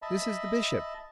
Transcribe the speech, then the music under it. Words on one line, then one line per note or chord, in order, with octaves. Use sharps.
This is the Bishop.
D#5 E5 A5 B5